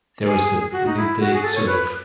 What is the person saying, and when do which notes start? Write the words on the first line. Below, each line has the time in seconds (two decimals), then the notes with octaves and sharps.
there was the big big, sort of,
0.26 G#4
0.72 F#4
0.86 D#4
0.97 E4
1.20 F#4
1.34 G#4
1.42 A4
1.55 C#5
1.67 B4